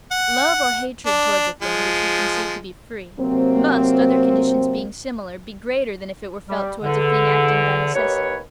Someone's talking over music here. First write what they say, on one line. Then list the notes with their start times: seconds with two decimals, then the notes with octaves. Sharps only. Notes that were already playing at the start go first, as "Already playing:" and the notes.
Love or hatred towards a thing, which we conceive to be free, must, other conditions being similar, be greater than if it were felt towards a thing acting by necessity.
0.11 F#5
1.06 D4
1.62 F3 G#3
3.20 C3 F#3 A#3 C4
6.49 G3
6.83 E2 D3
7.95 D#2 B4 C#5